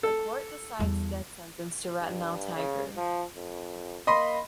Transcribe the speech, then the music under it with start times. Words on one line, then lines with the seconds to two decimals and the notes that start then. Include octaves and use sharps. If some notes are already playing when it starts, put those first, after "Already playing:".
The court decides death sentence to Ratanlal Tiger.
0.03 A4
0.79 E2 G3
2.00 G2
2.55 C#3
2.97 F3
3.36 F2
4.07 A#3 D#5 B5 C6